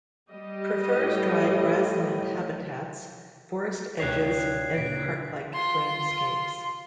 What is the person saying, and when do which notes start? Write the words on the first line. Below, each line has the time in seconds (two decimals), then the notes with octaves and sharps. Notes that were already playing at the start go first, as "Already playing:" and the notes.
Prefers dry grassland habitats, forest edges, and park-like landscapes.
0.31 G3 G4 D#5
0.88 A2
4.00 D2 C3 D4 G4 C#5 F#6 G#6 C7
4.75 A#2 C#3 B6 D7
5.54 F4 C6